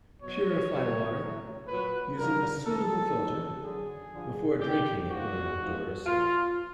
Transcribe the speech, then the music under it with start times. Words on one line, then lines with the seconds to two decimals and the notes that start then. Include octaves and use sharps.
Purify water using a suitable filter before drinking it when outdoors.
0.21 B2 F#3 C#5
0.70 G2 D3 F#3
1.18 A2 F#3
1.67 A#2 F#3 B4
2.17 G2 D3 F3 A#4
2.64 A2 E3 A4
3.14 F#2 D#3 F#3
3.62 F#2 D3 F#3 G#4
4.11 G2 D3 F3
4.60 A2 E3 G4
5.08 G#2 F3 F#4
5.58 G#2 F3
6.06 A#2 F3 F4